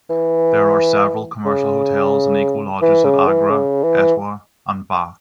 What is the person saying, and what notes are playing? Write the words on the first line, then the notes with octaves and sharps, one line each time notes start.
There are several commercial hotels and eco lodges at Agra, Etawah and Bah.
E3
C#3
E3
C#3
E3
C#3
E3